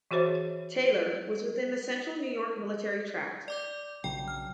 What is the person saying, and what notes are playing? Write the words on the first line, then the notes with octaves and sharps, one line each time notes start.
Taylor was within the Central New York Military Tract.
E3 F#4 G#4 C5 C#5 E5
D5 D6 G6
A#1 C#3 F#3 G5
F6